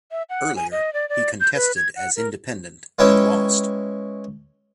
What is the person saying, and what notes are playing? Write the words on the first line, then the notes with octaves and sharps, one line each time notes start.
Earlier he contested as Independent and lost.
E5
F#5
G#5
D#5
D5
D5
G6
B4
G#6
F#5
A#4
G#3 C#4 E4 B4 C#5 G5